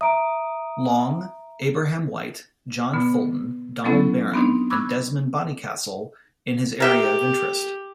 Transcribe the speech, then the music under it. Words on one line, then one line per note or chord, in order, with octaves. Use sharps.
Long, Abraham White, John Fulton, Donald Barron and Desmond Bonnycastle-in his area of interest.
E5 A#5 D#6 D7
B2 D3 B3
F#3 A3 B3 C#4 E4 A4
B3 C4 D4 D#4
B5 C#6 D6 E6 F#6 G#6
G4 A#4 E5 G5